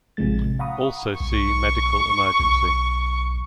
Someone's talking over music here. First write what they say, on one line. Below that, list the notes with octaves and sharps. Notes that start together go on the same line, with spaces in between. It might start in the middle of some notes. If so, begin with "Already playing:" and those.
Also see medical emergency.
A1 C3 F3 G#3 A6
F5 F#5 A#5 B5 C#6 D#6
B1 C#6
B1